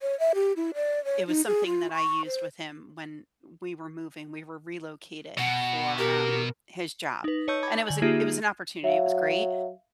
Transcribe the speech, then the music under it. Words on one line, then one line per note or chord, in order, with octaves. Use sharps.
it was something that I used with him when we were moving. We were relocated for, um, his job, and it was a it was an opportunity. It was great.
C#5
E5
G4
E4
D5
C#5
D#4
G#4
F4
C#6
C5
B2 F#5
G4 A#4
D#4 B4
C#5 D#5 A5 C#6 E6 G6
A5 B5 D6 G#6
D3 G#5 F#7
A#3 D#4 F4 G4 G#4 E5
F#3 E5 F5